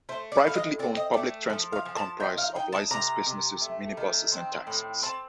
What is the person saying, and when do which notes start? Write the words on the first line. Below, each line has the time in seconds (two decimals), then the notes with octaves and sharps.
Privately owned public transport comprise of licenced buses, minibuses and taxis.
0.09 A3 C5
0.32 D5
0.44 A2 F5
0.55 D#5
0.79 C4 D5
0.97 D#5
1.14 A3 D5
1.50 F3
1.72 F5
1.85 F3
1.96 A5
2.20 D#4 G5
2.38 F5
2.55 D#4 G5
2.73 A5
2.91 C3 A#5
3.26 C3
3.61 A3
3.97 D#3
4.32 C4
4.67 A2
5.02 C4 A5